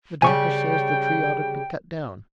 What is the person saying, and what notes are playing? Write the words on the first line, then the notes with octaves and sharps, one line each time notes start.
"The doctor says the tree ought to be cut down."
C#3 G3 G5 G#5 C#6